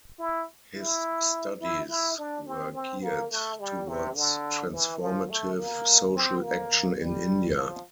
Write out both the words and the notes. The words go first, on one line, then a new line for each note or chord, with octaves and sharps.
His studies were geared towards transformative social action in India.
E4
E4
E4
E4
D4
C4
C4
A#3
A3
G3
C3
D3
E3
F3
A3
A#3
C4
A#3
G3
F3